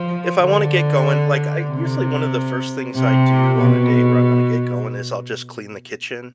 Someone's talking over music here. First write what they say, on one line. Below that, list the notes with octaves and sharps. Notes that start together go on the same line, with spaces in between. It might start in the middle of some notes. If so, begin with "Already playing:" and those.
if I wanna get going, like, I usually, one of the first things I do on a day where I wanna get going is I'll just clean the kitchen,
Already playing: F3
D3
C3
C3
B2